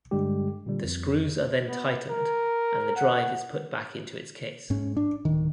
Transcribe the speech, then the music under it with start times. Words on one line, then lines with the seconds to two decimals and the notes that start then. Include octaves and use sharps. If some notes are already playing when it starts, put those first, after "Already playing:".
The screws are then tightened and the drive is put back into its case.
0.11 G2 D3 G3 G#3 G4
0.66 A#2 D3 G3
0.84 F2
1.68 B3
2.10 A#4
2.96 F#5
4.70 G#2 C#4
4.97 D4
5.25 D1 D#3